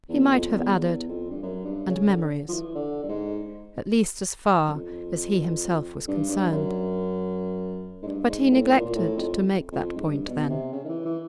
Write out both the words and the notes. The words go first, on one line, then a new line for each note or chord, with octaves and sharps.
He might have added, "and memories," at least as far as he himself was concerned; but he neglected to make that point then.
E2
F2
E2
E2
F2
G2
F#2
G2
C#3
D3
F3
E3
D3
G2
G#2
F#2
F2
G2
G2
F#2
G#2
G2
G#2
A2
A#2
A#2
A2
F2
F2
G#2
G2
B2
C3
C#3
D#3
E3
E3